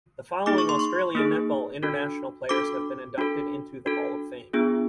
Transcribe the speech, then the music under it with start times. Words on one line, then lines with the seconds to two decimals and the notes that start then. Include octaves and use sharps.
The following Australian netball international players have been inducted into the Hall of Fame.
0.46 A#3 D#4 G#4 D6
0.58 C#6
0.69 C6
0.79 C#6
1.15 A#3 D#4 G#4
1.83 D4 F#4 A4
2.49 D4 F#4 A4 D6
3.18 D4 F#4 A4
3.86 D4 F#4 A4
4.53 B3 D4 F4 G#4